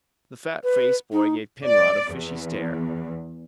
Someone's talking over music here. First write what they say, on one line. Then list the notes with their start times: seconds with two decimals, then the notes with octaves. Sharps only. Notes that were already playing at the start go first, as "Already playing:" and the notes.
The fat-faced boy gave Penrod a fishy stare.
0.63 B4
1.12 D#4
1.65 D5
2.12 E2